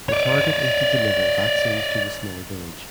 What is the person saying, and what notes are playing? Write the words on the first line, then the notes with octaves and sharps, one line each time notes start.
The target is to deliver vaccines to the small village.
C#5 D5